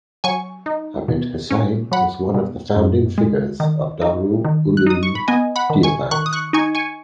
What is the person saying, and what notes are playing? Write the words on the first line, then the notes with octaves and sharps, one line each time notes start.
Abid Hussain was one of the founding figures of Darul Uloom Deoband.
F#3 G#5 C#6
D#4
B2
C#4
F#3 F#5 B5
B2
F#2
G#3
D#3
D#4
D#3
F#6
D#4 D#6
C#6
B5
B3 D#5 G#5
F#5 B5
D#3
G#5 C#6
D#3 C#6 F#6
D#6
C#6 F#6
D#4 G#5 C#6
G#5 C#6